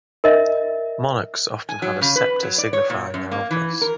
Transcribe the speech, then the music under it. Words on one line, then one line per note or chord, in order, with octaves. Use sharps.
Monarchs often have a sceptre signifying their office.
A#4 D#5 E5
G#5
F#3
C#3
B4
F#3
D5
C#5
A#2
F#2
A#3
E3
A#4